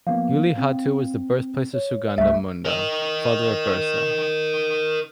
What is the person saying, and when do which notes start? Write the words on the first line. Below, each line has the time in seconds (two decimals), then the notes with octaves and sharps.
Ulihatu was the birthplace of Sugana Munda, father of Birsa.
0.07 F3 A#3 B3 F5
0.58 C4
1.74 C#5
2.18 C#2 G3 A3 E5
2.65 A#4 D#5